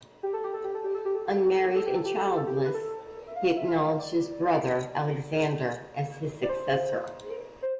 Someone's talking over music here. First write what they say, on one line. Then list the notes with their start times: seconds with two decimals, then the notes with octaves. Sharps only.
Unmarried and childless, he acknowledged his brother Alexander as his successor.
0.23 G4
0.33 A4
0.44 G4
0.53 A4
0.64 G4
0.75 A4
0.84 G4
0.94 A4
1.05 G4
1.15 A4
1.25 G4
1.35 A4
1.45 G4
1.55 A4
1.66 G4
1.75 A4
1.86 G4
1.95 A4
2.05 G4
2.16 A4
2.27 G4
2.36 A4
2.47 G4
2.65 B4
2.74 A4
3.27 E5
3.36 F5
3.56 E5
3.68 F5
3.99 D5
6.43 D5
6.49 C5
7.62 C5